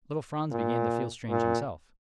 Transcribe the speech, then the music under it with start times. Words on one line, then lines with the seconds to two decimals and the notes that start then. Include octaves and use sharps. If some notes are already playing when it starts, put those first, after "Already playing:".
Little Franz began to feel strange himself.
0.52 A#2
1.30 A#2